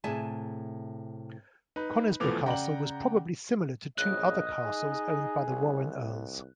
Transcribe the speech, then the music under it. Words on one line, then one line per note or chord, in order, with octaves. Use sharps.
Conisbrough Castle was probably similar to two other castles owned by the Warren earls.
A2 C3 G#4 E5 G#5 A5
D#4 B4
B2 E3 F3 A3 D6 F7
C#3 D5 F#5 G5 A#5 F#7
A#1 C#3 D#5 F#6
D#4 G#4
C2